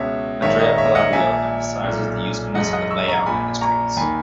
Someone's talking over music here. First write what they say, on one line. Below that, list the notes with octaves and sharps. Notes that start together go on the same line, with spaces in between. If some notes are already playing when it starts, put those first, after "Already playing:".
Andrea Palladio emphasises the usefulness of the lay-out in his treatise.
Already playing: C#2 B2 C#5 E5
A#1 G#2 D#3 C#5 E5
D#5
C#5 E5
D#5 F#5
A#1 A#2 E5 G#5
B1 A#2
G#1 F#2 C#3 E3 D#5 F#5
D#5 F#5
C#6 E6
A#5 C#6
A#1 A#2 G#5 B5
A#5 C#6
D#2 D#3 G#5 B5